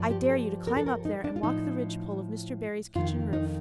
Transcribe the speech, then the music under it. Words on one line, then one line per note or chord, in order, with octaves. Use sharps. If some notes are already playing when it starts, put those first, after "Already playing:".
"I dare you to climb up there and walk the ridgepole of Mr. Barry's kitchen roof."
Already playing: G2 F3
G4
A4
A#4
A4
A#4
D#4
D4
F4
A2 F3 D#4
F2 D#3 F4
D#4